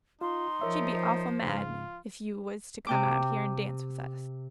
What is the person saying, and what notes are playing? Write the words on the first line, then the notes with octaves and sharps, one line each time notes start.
"She'd be awful mad if you was to come out here and dance with us."
D#4 F4 C6
F3 A#4 C#5 E5
C5
G#2 C#3 F4
C3 G5 D6